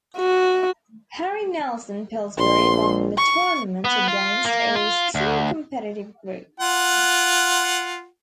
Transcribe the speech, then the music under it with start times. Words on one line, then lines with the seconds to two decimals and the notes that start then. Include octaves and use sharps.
Harry Nelson Pillsbury won the tournament against a strong competitive group.
0.18 F#4
2.38 A#1 C6
3.18 C#6
3.85 B3
4.08 F4
4.45 A#3
4.76 F4
5.15 D2
6.60 F4 F#5